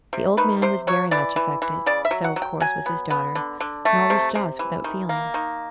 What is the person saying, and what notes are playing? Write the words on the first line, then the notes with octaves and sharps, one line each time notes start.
The old man was very much affected; so, of course, was his daughter; nor was Jos without feeling.
C3
D#3 B4
C3 C5
F#3 C#5
E3 D5
E3
E3
C#3 D5
E5
F#3
F#5
F#3
G5
F#3 G#5
B3
B3
D3
D3
A3
C3
C3
E3
D#3
A#3
D#3